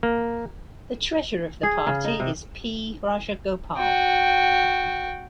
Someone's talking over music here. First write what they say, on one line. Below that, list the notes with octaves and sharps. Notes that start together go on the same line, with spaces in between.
The treasurer of the party is P. Rajagopal.
A#3
G#4
C#3
D#4
C3
F#4 G5